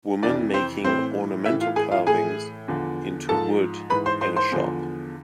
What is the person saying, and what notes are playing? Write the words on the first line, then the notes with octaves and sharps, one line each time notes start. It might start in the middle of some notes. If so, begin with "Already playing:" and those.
Woman making ornamental carvings into wood in a shop.
F2 C3 E3 D4 D5
C4 C5
A2 E3 C4 C5
A2 E3 E4 E5
F4 F5
G#4 G#5
F4 F5
A2 E3 G#4 G#5
E2 D3 F3
G#2 F3 A4 A5
G#2 E3 B4 B5
C5 C6
C5 C6
C5 C6
E2 D3 F3